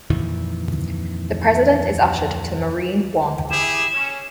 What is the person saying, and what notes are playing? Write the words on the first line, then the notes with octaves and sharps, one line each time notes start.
The President is ushered to Marine One.
F2 A#2 D#3 E3
E4 G4 G#4 E7
C#4